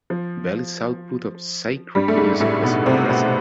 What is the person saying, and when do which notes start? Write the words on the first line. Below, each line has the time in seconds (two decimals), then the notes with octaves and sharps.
Belli's output of sacred music was impressive.
0.10 F3
1.95 G2 G3
2.08 A3
2.17 G#2 G#3
2.40 A2 A3
2.63 B2 B3
2.86 C3 C4
3.09 B2 B3